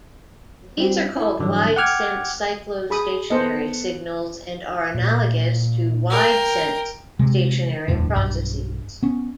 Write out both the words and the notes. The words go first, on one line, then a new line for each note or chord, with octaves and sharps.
These are called wide-sense cyclostationary signals, and are analogous to wide-sense stationary processes.
G3 C4
E4 A4
G#2 D3 E3 F#3 G3
F#5 G5 D6 F6 G#6
G#4 B5 D#6
B3 A4 C5 D#5
A#2
A#4 G5
C3 G#3
D#1 F2 A2 D3
B1 G2
B3 C#4